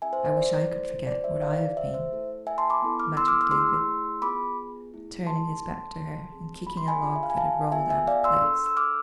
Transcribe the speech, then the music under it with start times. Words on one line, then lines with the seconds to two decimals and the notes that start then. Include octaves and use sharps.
"I wish I could forget what I have been!" muttered David, turning his back to her and kicking a log that had rolled out of place.
0.02 C4 E4 G#4 E5 G#5
0.13 C5 E5
0.25 C5
0.37 D5
0.54 D5
0.71 A3 E4 A4 C5
0.89 C5
1.07 D5
1.24 C5 E5
1.41 D4 F4 G#4 D5 F5
1.54 D5 F5
1.77 C5 E5
1.94 C5 E5
2.12 A3 E4 A4
2.47 E5 G#5
2.58 A5 C6
2.70 B5 D6
2.82 B3 E4 A4
3.00 D6 F6
3.17 C6 E6
3.28 D6 F6
3.41 D6 F6
3.51 A3 E4 G#4 C6 E6
4.22 B3 F4 G#4 B5 D6
4.91 A3 E4 G#4
5.26 A5 C6
5.63 D4 A4
6.32 C4 G#4
6.67 B5
6.77 C6
6.88 G#5 B5
7.02 D4 F4 G#4
7.16 E5
7.23 F5
7.30 G#5
7.37 F5 A5
7.72 B3 F4 G#4 E5 G#5
7.90 E5 G#5
8.07 D5 F5
8.24 C6 E6
8.42 D4 A4
8.66 E6
8.77 D6 F6